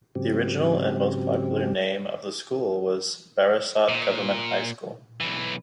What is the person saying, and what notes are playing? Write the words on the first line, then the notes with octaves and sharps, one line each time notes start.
The original and most popular name of the school was Barasat Government High School.
G#2 C#3 F#3 C4 G4
A#2
B1 E3